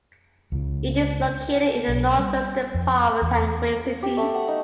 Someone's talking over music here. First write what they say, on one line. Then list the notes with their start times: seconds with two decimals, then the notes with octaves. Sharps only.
It is located in the north-western part of Taguig City.
0.52 C#2 C#3
1.88 B1
2.19 G3
2.75 F2
3.22 E2
4.03 G4
4.17 A3
4.34 F#5
4.48 D#4